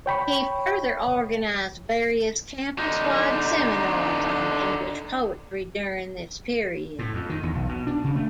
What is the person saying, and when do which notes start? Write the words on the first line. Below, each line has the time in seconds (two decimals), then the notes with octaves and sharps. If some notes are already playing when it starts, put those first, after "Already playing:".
He further organized various campus-wide seminars on English poetry during this period.
0.06 C#5 G5 B5 C#6
2.78 D3 D#4
6.99 A2
7.14 F2
7.30 D#3
7.43 E2
7.55 B1
7.69 B2
7.87 D4
8.04 C#3
8.16 A3